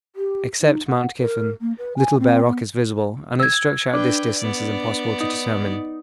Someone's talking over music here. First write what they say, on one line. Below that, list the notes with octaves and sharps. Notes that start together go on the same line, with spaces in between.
Except Mount Kyffen, little bare rock is visible, and its structure at this distance is impossible to determine.
G4
D#4
F#5
A#4
A#3
B4
G#5
C4
B3
E6 G#6
D4 B4 G5
B3 D5
D#4